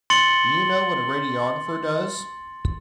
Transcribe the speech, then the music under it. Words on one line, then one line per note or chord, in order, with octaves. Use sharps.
Do you know what a radiographer does?
C6 A6 C#7 F#7 G7